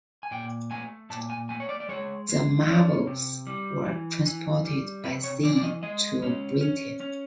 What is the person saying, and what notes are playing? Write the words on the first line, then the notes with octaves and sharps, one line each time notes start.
The Marbles were transported by sea to Britain.
G#5
A#2 G5
A3 G#5
A#2 A5
G#5
A3 G#5
C#5
D5
D5
G#3 C#5
G#3
C#4 D5
C3
G3
E3
E3
G3
C3 B4
C#5
E3 D5
D5
D#5
G#3 D#5
C#4
C#4
C#4